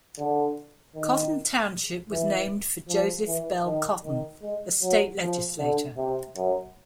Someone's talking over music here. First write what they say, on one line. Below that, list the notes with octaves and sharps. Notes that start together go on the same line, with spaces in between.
Cotton Township was named for Joseph Bell Cotton, a state legislator.
D3
D#3
E3
F3
E3
D#3
D#3
G#3
F#3
F3
D3
C3
F#2